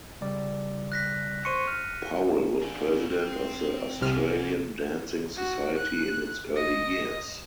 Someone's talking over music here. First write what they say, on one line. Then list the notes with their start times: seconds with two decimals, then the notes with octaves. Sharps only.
Powell was president of the Australian Dancing Society in its early years.
0.21 C#3 G3 D5
0.92 F#6 A#6 B6
1.45 C5 C6 C#6 C#7 D#7
1.68 F6
2.62 D4 G#4
3.11 C4
4.01 C2 C3 B3 G#4 F6
5.37 F#4
5.78 F#6
6.56 D#5